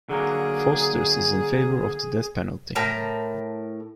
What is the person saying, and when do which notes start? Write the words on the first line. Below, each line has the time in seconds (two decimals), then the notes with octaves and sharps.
Foster's is in favor of the death penalty.
0.09 D3 F#3 A#3 G#4
2.75 A2 A#4 G5 A5